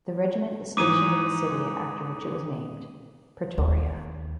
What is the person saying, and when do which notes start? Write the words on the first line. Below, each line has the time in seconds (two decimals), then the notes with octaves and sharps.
The Regiment is stationed in the city after which it was named, Pretoria.
0.77 G#2 E3 D6 D#6 D#7
3.58 D#2